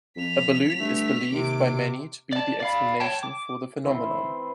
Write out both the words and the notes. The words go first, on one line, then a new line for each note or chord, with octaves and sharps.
A balloon is believe by many to be the explanation for the phenomenon.
F2 B6 F7
G2 A3
D#2 C3 D6 D7
D5 A5
D5 F5 B5
C#5 G5 A5
D6
E3 C4 C6